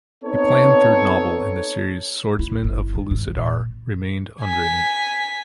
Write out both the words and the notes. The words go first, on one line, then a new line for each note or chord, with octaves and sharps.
A planned third novel in the series, "Swordsmen of Pellucidar", remained unwritten.
B3 C4 D#4 A4 C#5
E4
G1
D#3
G#2
A#2
G#5 B6